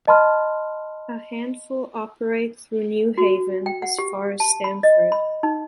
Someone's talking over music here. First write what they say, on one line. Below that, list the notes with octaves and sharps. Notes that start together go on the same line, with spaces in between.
A handful operate through New Haven as far as Stamford.
D#5 A5 B5 C6 F6
F#4
G5
F#5
G4
A5
B5
D#5
B5
D#4